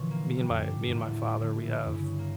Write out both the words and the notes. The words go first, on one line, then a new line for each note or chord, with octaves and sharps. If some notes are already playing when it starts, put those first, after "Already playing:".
me and my me and my father, we have
Already playing: A#2 D3 E3 F3 C#4
A#3
E3 G3
F2
G2 D4
A2
E2 G2
A2
A3
D3
E4
F2
G2 C#3
A#3